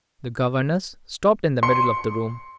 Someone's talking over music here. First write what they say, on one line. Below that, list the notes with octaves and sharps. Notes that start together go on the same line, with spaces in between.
The governess stopped in the middle of the room.
C6 C#7